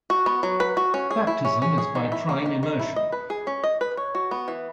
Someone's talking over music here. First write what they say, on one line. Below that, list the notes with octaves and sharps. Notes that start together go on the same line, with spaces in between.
Baptism is by trine immersion.
F#4
B3
F#3
B4
F#4
C#4
G#4
E4
C#4
C#4
G#4
D#3
E4
A#3
D#3
D#3
E4
D#5
B4
G#4
C#4
D#5
B4
C#5
F#4
B3
E3